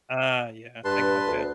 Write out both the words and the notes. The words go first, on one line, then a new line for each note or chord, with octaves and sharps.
Ah, yeah, I gotcha.
G2 B4 A5 C6
D2